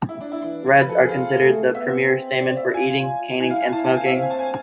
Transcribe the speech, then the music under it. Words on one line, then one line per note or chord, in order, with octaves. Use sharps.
Reds are considered the premier salmon for eating, canning, and smoking.
E4
D4
E4
E3
F3
B4
A4
G#4
F4
A3 G#4
B3 E5
C4
D5
E5
F4 G#5
E4 G#5
F5
G#5
E4 A5
A5
G#5
C4 E5
F5
G#5
A5
G#5